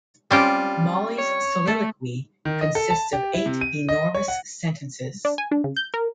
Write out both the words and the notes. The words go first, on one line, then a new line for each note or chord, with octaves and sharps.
Molly's soliloquy consists of eight enormous sentences.
G3 C4 C#4 F4 G4
C#5
A3 A4
D#3
D#5
A4
A5
G4
E4
C3
D#7
D#5
C#5
F#5
D4
G#5
D4
C#3
G6
A#4